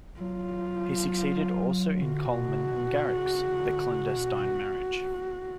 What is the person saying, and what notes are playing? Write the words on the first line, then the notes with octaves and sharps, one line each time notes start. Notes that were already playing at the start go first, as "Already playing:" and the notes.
He succeeded also in Colman and Garrick's "The Clandestine Marriage".
F#3 F4
D3 F#4
B2
C#3
B2
B2
C#3
C#3
C#3
D3
C#3
B2